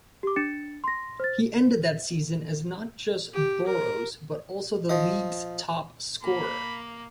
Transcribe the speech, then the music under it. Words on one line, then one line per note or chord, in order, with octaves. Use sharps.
He ended that season as not just 'Boro's but also the League's top scorer.
G4 D6
D4 A6 C#7 E7
C6 A#6
C5 A6
G4
A#4
F3 D#5
A#3 B5